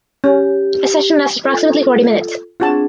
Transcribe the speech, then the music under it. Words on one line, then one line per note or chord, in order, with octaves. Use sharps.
A session lasts approximately forty minutes.
C#4 G4
F4 A4
C4 D4 F4 F#4 G#4 A5